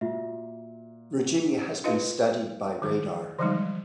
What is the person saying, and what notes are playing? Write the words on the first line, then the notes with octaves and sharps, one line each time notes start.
Virginia has been studied by radar.
A#2 F4 F#4 E5
D#4 F4 B4 D#5 F5
D#3 G#4
D3 E3 F3 G3 G#3 D#4